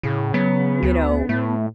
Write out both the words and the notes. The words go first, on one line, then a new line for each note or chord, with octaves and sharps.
you know,
A2 C#3
F#3 B3
D2
A2 A3